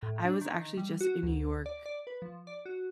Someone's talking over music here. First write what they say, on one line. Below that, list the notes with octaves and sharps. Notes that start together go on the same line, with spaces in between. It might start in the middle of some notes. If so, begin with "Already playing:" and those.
I was actually just in New York,
A2
D4
D#3
G3
F#4
D2
D5
D5
B4
F3
D5
F#4